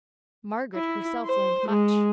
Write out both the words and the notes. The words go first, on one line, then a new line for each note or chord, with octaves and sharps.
Margaret herself learned much.
E4
C5
G#3